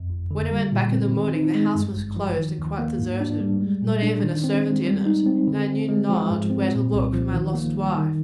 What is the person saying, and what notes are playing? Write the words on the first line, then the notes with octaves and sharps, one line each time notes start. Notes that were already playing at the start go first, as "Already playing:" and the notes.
When I went back in the morning the house was closed and quite deserted; not even a servant in it, and I knew not where to look for my lost wife.
Already playing: F2
G1
D3
G3
A#2
C4
D#3
D#4
G#3
G2
G#1
F3
D#3
D#2
A#3
G#2
D4
G3
G#3
A#2
D4
D#3
C4
G#3
G3
D#4
C4
D3
C4
G#3
F3
G#2
C4
A#2
C2
F3
D#3
A#3
G3
D#3